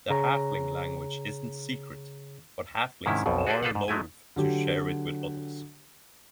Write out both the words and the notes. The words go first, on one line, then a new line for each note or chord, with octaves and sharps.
The Halfling language isn’t secret, but halflings are loath to share it with others.
C#3 G#4 C#5 A#5
G#2 C3 D#3 C#4 E4
B1 F2 B2
F#4 G#4 A4 B4 C5 D5
F4 A4 B4 C5 F5 F#5
G#2
F#3 G#3 A3 E4 G#5
D3 F#3 G4